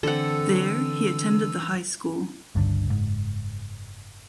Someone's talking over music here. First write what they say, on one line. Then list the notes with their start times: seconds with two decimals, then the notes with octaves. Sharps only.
There he attended the high school.
0.03 D3 E3 C4 A4 F#5 E6
2.55 G1 C#2 G2 D3
2.87 F#1 G#2